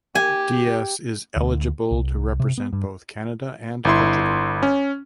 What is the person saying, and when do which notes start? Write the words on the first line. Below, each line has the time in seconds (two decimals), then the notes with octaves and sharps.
Dias is eligible to represent both Canada and Portugal.
0.15 G4 G#5
1.36 D2
1.91 C2
2.40 C3
2.58 B3
2.73 G2
3.85 G1 E4 C6
4.63 C#4